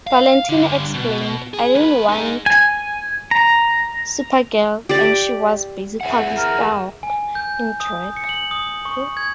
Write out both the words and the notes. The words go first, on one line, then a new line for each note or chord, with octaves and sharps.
Valentino explained, I didn't want Supergirl - and she was, basically, Starhawk in drag.
F5
G2 D3
B2
G#4
D#2 B4
D#4 G#4
G#5
A#5
G4 D5
G#4 E5 F#5
A#4
G#5
G6
D#6
C#7
F#7
D#6
C#6
G#6